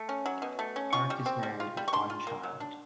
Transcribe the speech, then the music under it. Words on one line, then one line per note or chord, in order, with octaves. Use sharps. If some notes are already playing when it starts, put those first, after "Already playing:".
Park is married with one child.
Already playing: A3
C#4
F#3
B2
A3
C#4
F4 C#6
G3
C4
G3
F4
G3
C#6
D4 C6
F4
A#3
F#3
D4